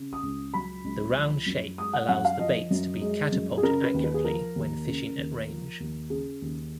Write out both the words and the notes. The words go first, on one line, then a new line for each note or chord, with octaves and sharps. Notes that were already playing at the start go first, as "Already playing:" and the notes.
The round shape allows the baits to be catapulted accurately when fishing at range.
Already playing: C#3
D#6
C#2
F#3 B5
C#2
F3
F#2
G#3 D#6
F#5
F#2 F#5
F5
F3 D#5
F#2
G#3
F#2
G#4
C#3 A#4
B4
D#2
B4
G#4
F3 A#4
D#2
C#3
D#2
F3
D#2
C#3 G#4
D#2